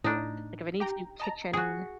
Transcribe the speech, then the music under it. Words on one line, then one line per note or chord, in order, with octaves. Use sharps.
Like, if it needs new kitchen
A2 D4 D#4 A#6
G4 G5 A#5
D#5 A5 A#5
F#4 G#4